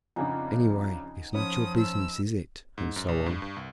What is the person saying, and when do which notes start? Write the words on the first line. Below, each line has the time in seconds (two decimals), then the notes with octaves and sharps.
"Anyway, it's not your business, is it?" And so on.
0.16 F2 C#3 D4 D#4 F#5 G#5
1.35 F3 C#4 B4 D#6
1.78 E6
2.78 G#2
2.96 F#2
3.08 A#1
3.26 G2
3.42 G2
3.56 C2